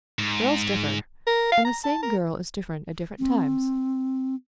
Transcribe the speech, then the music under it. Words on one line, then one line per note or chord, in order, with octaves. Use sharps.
Girls differ; and the same girl is different at different times.
G#2
A#4
F5
A#5
A5
A#4
C4